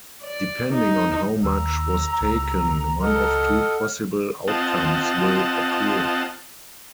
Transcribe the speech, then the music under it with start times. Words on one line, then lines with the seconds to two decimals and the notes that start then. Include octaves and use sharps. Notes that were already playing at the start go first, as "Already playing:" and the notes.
Depending on how much was taken, one of two possible outcomes will occur.
0.23 D5
0.73 D#4
1.44 D#2 A#5 E6
2.21 C#2
3.02 A4 D#5 F#5 F6
4.48 C4 F4 D#5 F#5 A5